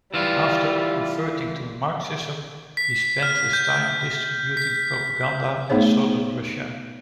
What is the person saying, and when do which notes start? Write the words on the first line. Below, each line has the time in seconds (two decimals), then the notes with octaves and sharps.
After converting to Marxism, he spent his time distributing propaganda in southern Russia.
0.14 E3 G3 F4
2.77 B6
3.23 F6
3.53 G6
4.57 B6
5.70 A3 B3 D#4 G#4 C5 C#5